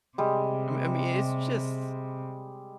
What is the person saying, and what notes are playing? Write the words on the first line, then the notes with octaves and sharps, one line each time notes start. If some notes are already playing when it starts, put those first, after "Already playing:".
I me I mean, it's just
C3 G3 G#3